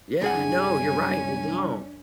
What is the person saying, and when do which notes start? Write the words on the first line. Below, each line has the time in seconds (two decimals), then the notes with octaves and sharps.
Yeah, no, you're right, they don't.
0.22 C2 F#2 C#4 D4 G#4 F#5 G#5